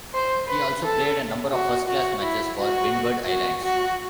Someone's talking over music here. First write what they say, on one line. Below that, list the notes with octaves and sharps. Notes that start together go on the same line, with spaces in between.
He also played a number of first class matches for Windward Islands.
C5
B4
A4
F#4
F#4
E4
F#4
F#4
F#4